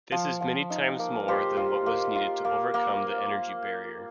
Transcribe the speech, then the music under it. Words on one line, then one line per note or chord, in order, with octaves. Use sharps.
This is many times more than what was needed to overcome the energy barrier.
F3
F3
D#4
A#3
F4 G4 C5
F4
A#3
F4
A#3
A#3